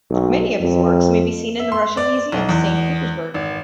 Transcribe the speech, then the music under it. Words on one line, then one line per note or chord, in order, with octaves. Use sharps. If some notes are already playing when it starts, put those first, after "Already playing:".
Many of his works may be seen in the Russian Museum, Saint Petersburg.
B1
F2
E5
C6
D5
B1
E2
G#1